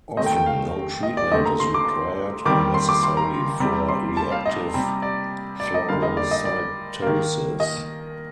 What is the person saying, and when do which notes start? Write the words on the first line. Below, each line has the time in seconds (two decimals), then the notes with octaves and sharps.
Often, no treatment is required or necessary for reactive thrombocytosis.
0.17 D#3 A3 C4 D#5
0.26 G5
0.36 G5
0.46 F5
1.03 D#5
1.17 D5
1.31 D3 A3 C4 D#5
1.45 A#5
1.60 C6
1.74 D6
2.45 D#3 G3 C4 D6
2.74 C6
2.89 D6
3.03 C6
3.17 A#5
3.60 C3 G3 C4
3.88 C6
4.17 A5
4.31 F5
4.46 D#5
4.74 C3 G3 C4
5.02 D5
5.60 D5
5.74 D#5
5.88 D3 G3 A#3 F5
6.02 D#5
6.17 D5
6.31 D#5
6.45 D5
7.02 D#3 A#3
7.60 D#5